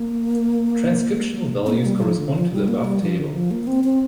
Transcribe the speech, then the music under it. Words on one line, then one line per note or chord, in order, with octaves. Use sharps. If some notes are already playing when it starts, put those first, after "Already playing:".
Transcriptional values correspond to the above table.
Already playing: A#3
C4
A#3
G3
G3
F3
D3
F3
G3
A#3
G3
F3
D3
F3
A#3
C4
C4